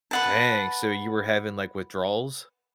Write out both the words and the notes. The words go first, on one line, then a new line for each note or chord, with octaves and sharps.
Dang. So, you were having, like, withdrawals?
B4 F#5 A5